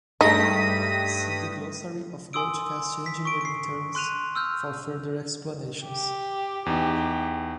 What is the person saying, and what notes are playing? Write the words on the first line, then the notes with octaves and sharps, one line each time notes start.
See the glossary of broadcast engineering terms for further explanations.
G2 G#3 A3 D#4 G5 D#6 A#6 B6
G#5 C6 D#6 E6 D7
B6
C#6 D7
C7 D7
C6 F#6 D#7 F7
E6 F6 G6
G4
E2 D#4 G4